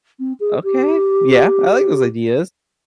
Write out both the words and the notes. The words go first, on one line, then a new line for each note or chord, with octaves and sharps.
Okay. Yeah, I like those ideas.
C4
G#4
G4